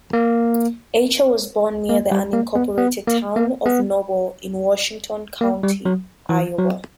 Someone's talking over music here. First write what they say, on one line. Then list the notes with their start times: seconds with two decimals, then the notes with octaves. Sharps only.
Eicher was born near the unincorporated town of Noble in Washington County, Iowa.
0.13 A#3
1.89 A#3
2.12 G3
2.33 A#3
2.55 B3
2.78 B3
3.07 A#3
3.36 A#3
3.66 B3
5.41 A#3
5.63 G3
5.85 F#3
6.29 E3
6.59 F#3